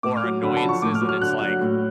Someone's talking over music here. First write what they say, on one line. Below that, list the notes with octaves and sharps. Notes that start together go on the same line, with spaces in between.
or annoyances, and it's like,
A2 D6
F6
F#3
D3 B5
A5
F3
C#6
A2 D6
F6
F#3
F6
D3 F#6
F#3
A2